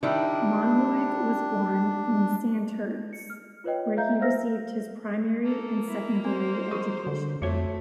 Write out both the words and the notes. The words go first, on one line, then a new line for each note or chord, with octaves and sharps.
Monroig was born in Santurce, where he received his primary and secondary education.
D#3 G3 D4 E4
C#7
F6
F4 B4 C#5 D#5 G5
E5 F5 A#5 G6
C5 E5 F5 E6 F6 A#6
A#3 A4
E4
C4 C5
G3 G#4 C#6
D3
F2 A2 A3 F#4 C#5